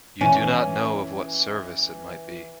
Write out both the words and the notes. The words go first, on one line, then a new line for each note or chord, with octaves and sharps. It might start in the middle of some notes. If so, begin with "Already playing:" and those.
You do not know of what service it might be.
E3 C#4